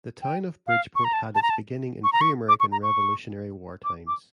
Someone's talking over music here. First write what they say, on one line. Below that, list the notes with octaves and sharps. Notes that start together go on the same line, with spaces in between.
The town of Bridgeport had its beginning in pre-American Revolutionary War times.
G5
F5
C#6
A#5
A5
A5
A#5
A5
C#6
A#5
C#6
D6
C#6
A#5
C#6
D6
D6